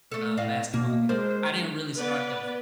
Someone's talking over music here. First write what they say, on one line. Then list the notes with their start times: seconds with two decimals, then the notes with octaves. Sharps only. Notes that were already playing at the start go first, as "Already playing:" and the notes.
and, uh, basketball games, I didn't really start to v
0.11 A3 A4
0.37 A2 D5 F5
0.74 B2 A#3
1.09 G#3 D4 A#4 C5
1.97 B3 B4 D5